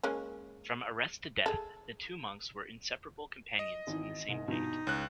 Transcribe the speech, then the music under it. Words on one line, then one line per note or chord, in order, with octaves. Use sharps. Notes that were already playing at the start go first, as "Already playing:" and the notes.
From arrest to death the two monks were inseparable companions in the same fate.
G#3 A#3 C#4
G#4 A4
D#5
G#1 D#3 E3
C2 G#2
G2 B2 E3 D#4
C#2 C#5 F#6